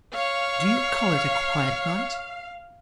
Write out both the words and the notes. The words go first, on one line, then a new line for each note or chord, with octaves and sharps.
"Do you call it a quiet night?"
C#5 F5